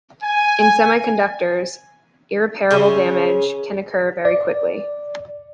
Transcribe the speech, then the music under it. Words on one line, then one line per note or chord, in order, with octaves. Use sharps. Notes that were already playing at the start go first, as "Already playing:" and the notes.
In semiconductors, irreparable damage can occur very quickly.
G#5
C#3 C#4 C5 E5
D5